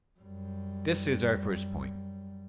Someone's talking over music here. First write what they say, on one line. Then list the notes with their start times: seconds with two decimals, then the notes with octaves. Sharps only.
This is our first point.
0.19 F#2 G3